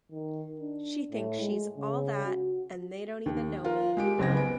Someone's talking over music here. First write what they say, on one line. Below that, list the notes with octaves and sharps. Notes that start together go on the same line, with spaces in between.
She thinks she's all that' and they didn't even know me.
D#3
D4
A2
G#3
C#3
F#4
D#2
F4 A#4
G#3 G4 D7
F#1 C#2 C4 G#6 A#6
B3 G#5 D7